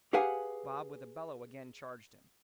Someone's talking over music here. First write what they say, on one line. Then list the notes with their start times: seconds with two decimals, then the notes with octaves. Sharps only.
Bob with a bellow again charged him.
0.13 G4 G#4 B4 F5 F#5 G#5